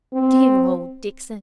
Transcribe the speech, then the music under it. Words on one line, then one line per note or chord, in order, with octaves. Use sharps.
'Dear old Dixon!
C4